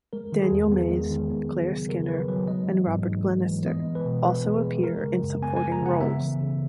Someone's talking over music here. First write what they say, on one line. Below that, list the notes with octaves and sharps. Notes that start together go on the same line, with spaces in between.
Daniel Mays, Claire Skinner and Robert Glenister also appear in supporting roles.
G#3 A#4
D#3
G#4
E2
B3
G#3
D#3
B3
F#3
C#3
C#3 A#4
B3 B4
F#3 B4
G#3 D#5
E3
G#2
G#2
G#3
E3
B3 D#5
G#3
B4
B2
B2 B4
B3
G#4
G#3
G#3 A#4
C#3
F#2
B3 G#5
G#5
G#3
A#5
C#3 F#5
B3 E5
E3
C#3